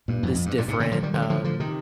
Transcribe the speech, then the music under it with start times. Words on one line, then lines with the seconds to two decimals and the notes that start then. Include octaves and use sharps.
this different, um,
0.08 G2 A#2
0.23 F2 G#2
0.35 F2
0.46 G2
0.57 G2 A#2
0.68 G#2 C3
0.80 A#2 D3
0.92 D3 F3
1.03 D#3 G3
1.14 D3 F3
1.22 G3
1.30 D3 F3
1.44 D3 F3
1.60 C3 D#3